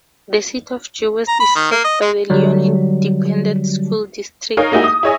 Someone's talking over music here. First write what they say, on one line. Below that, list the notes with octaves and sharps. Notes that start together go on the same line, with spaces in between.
The City of Jewett is served by the Leon Independent School District.
A#5
B5
D#3
A#3
D#5
G#3
D3 F#3 G3
D#4 A#4 C#5 F5
G#3 A#3 D#4 E4 F#4 G4
D#6
E4 G#4 C#5 D#5 G#5